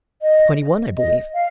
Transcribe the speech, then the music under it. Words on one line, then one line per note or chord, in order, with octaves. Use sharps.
"Twenty-one, I believe."
D#5
D#5
F5